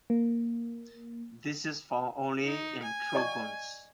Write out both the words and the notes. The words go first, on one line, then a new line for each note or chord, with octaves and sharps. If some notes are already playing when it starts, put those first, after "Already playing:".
This is found only in trogons.
A#3
D#4
G#5
D5 D#5 C#6